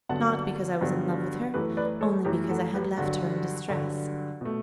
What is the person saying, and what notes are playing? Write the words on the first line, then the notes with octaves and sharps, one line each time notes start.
Not because I was in love with her; only because I had left her in distress.
G2 D3 F#3 B3 F#5 A5
G2 D3 F#3 B3
F#2 E3 A3 G4 B4
B4 D5
A4 C#5
F#2 E3 A3 G4 B4
F#4 A4
G4 B4
G2 D3 F#3 F#4
G2 D3 F#3
B2 A3